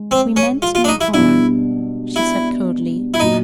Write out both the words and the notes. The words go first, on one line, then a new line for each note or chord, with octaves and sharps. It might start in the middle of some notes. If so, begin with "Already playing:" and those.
"We meant no harm," she said, coldly.
Already playing: G#3
C4
C#4
F4
F4
D4
D#4
E4
B2 G3 B3 D4 E4
E4
E4
A#2 F#3 D#4